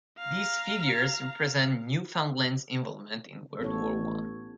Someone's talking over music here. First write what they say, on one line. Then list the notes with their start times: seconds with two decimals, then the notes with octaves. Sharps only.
These figures represent Newfoundland's involvement in World War One.
0.18 F5 A#5
3.61 A1 B3 A4 C#5